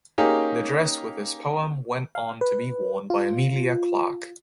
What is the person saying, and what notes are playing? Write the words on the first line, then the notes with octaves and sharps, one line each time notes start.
The dress with his poem went on to be worn by Emilia Clarke.
A#3 C#4 D#4 G4 G#4 A#4
F5
B4
F4